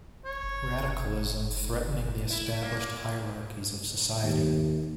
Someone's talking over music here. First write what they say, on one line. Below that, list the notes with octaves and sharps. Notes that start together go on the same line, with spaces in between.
Radicalism threatening the established hierarchies of society.
C#5
E4
A#3
D#2